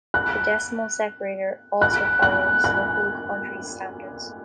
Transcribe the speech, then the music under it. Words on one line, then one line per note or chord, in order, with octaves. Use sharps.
The decimal separator also follows local countries' standards.
F#6
F#6
F#6
F#6